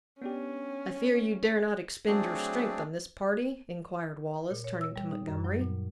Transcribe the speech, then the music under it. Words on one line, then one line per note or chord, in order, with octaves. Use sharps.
"I fear you dare not expend your strength on this party?" inquired Wallace, turning to Montgomery.
B3 C#4 D4 G4
F#3 A3 C4 D4 G#4
A#2
C#5
E6
G3
D#4
F#2
F#3
A#2